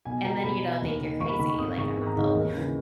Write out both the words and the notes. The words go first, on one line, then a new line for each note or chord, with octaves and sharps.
And then you don't think you're crazy, like, I'm not the only, o
B1 G#5
B2 A#5
B1 B5
B2
D#2
D#3
D#2 C#6
B5
D#3 B5
C#6
G#1 D#6
G#2 D#3 C#6
G#1
A#5
G#2 D#3 D#5
C#5
D#2
C#3 E3